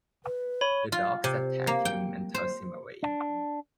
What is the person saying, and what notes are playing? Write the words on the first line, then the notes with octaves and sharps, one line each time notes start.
The dogs attack him and toss him away.
B4
C#5 B5
F4
C3
A#3
G5
C5
D4